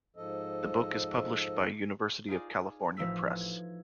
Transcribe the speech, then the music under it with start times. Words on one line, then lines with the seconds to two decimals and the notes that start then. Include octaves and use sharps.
The book is published by University of California Press.
0.16 G#2 F3 A4 D#5
2.28 D#4 F4 G#4 D5
2.51 G#4
2.97 A1 F3 D#4 E6 B6
3.41 G#6